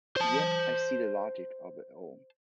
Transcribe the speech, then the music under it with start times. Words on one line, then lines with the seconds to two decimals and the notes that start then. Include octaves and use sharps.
Yet I see the logic of it all.
0.16 C5 A5